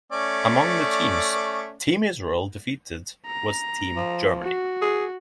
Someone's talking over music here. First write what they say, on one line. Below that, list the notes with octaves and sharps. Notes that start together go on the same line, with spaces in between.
Among the teams Team Israel defeated was Team Germany.
A3 C#4 D5
A#5
F3
F#4
G#4